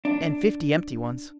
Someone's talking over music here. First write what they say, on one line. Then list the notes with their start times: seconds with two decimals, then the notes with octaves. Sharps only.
"And fifty empty ones."
0.05 D4